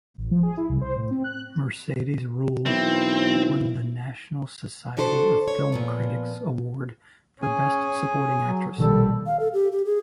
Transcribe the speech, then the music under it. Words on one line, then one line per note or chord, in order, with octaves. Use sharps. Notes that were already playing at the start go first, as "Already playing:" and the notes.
Mercedes Ruehl won the National Society of Film Critics Award for Best Supporting Actress.
A1
F3
G#4
E4
C2
C5
A2
C4
F#6
B1 E3 A#3 C4 E4
D3 D4 F#4 A4 B4 C5
C#5
A#2 F3 B3
C#4 G#4 G#5
F#3
A#1 B2 D#3 G3 A4
F5
A4
G4
G4
G#4